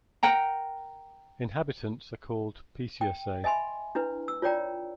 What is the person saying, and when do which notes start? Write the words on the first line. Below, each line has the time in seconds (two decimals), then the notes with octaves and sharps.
Inhabitants are called "Pisciacais".
0.23 A#4 F#5 G5 A#5
3.01 G5
3.44 D#5 E5 G#5 B5 C6
3.95 D4 E4 B4
4.28 E6
4.42 F4 C#5 D5 G5 A#5